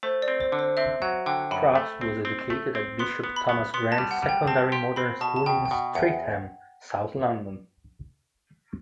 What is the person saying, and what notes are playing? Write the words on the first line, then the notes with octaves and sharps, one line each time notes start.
Cross was educated at Bishop Thomas Grant secondary modern school in Streatham, South London.
A3 C5
D5
C4
C5
D3
C5
C4 E5
F#3 F#5
D3 G5
F#2 B5
A3
C4
C4
A3
C4
B3 C6
B3
B5
B3
B3 C6
A5
G3
F#5
G3
G5
C4 A5
G4 C6
C4 B5
B2 A5
A5
B2 G5
G5
B2 F#5
E2 F#5